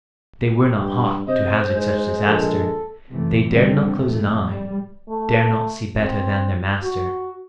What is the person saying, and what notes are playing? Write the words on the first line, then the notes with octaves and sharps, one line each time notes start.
They were not hot To hazard such disaster; They dared not close an eye--dared not See better than their master.
G2 G4
C3 C5 D#5
G#2 G#3
A#1 A4
F#2 C3 E3 A3
A1 F2 D3 G3 C4
F2 A2 C3 A3
G3
A3
C4
F#4